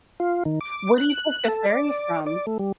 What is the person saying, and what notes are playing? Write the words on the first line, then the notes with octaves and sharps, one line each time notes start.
Where do you take the ferry from?
F4
D#3
D6
F#6
A4
D5
D5
A3
G3